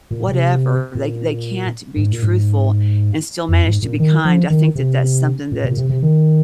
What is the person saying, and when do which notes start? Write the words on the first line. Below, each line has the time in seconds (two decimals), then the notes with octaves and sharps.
whatever. They they can't be truthful and still manage to be kind; I think that that's something that
0.11 A#2
0.28 C3
0.95 A#2
1.96 G#2
2.12 A#2
2.22 G#2
3.49 F2
3.66 G#2
3.82 A#2
4.00 D#3
4.25 F3
4.50 D#3
4.75 C3
5.52 A#2
5.64 C3
5.70 A#2
5.77 C3
5.89 C3
6.02 D#3